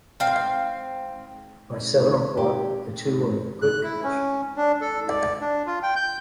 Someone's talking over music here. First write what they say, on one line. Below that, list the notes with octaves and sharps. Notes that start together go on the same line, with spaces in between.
By seven o’clock the two were in good condition.
C4 F5
G4
F#6
E4
C#4
D4
A4
D5
D4
F4
G5
G6